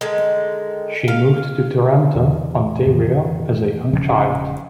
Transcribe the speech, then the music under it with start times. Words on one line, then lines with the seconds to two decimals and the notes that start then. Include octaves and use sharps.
She moved to Toronto, Ontario, as a young child.
0.01 D3 D#3 G#3
1.08 F5
2.15 E2
2.86 F2 A2 D#3 E3
3.93 E1 C#3 F3 C#4